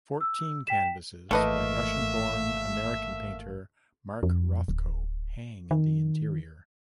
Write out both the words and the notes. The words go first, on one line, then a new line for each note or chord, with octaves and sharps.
Fourteen canvases by Russian-born American painter Mark Rothko hang in the interior.
E6
G5 B6 E7
G#1 E3 A3 A#3 A4 B4 D#5 E5
F2
D1
D#3